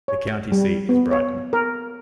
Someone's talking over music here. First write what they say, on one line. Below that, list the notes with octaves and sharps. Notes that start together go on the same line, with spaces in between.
The county seat is Brighton.
C#5
G3
B3
C#5
A#4